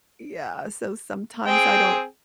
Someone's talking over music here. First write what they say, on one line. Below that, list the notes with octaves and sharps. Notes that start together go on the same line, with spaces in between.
Yeah, so sometimes I don't
C4 G#4 G5